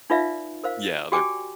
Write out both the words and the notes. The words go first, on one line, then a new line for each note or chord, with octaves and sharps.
Yeah, other
D#4 F4 B4 D5 E5 F5
A#4 C5 F5
F#4 G4 D5 G5 G#5 D6